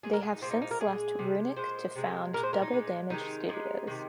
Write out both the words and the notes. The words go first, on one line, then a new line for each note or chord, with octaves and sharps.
They have since left Runic to found Double Damage Studios.
A#2 G#3 G#4
A#4
G#4
D#4
A#2 F3 G#3 C4
D#4
D#4
A#4
A#2 G#3 G#4
C3 F3 G#3
A#2 G#3 C5
C3 G#3
A#2 G#3 A#4
C5
A#4
D#4
A#2 G#3
C3 D#3 G#3 D#4
C3 F3 G#3
C3 D#3 G#3